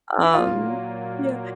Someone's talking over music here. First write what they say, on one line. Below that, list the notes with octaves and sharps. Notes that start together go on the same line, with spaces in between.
um, yeah.
E4
A#2 F#3 A#3 F4